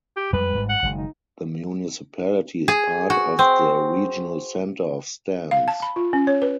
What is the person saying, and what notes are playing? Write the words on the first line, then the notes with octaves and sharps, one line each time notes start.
The municipality is part of the regional center of Stans.
G4
F2 G3 G#3 B4
G#1 G#2 G3
F#5
F#1 D#3 G#3
D#4
G#4
F#4
C4
F5
A5
B5
F4
C#4
C#5
B4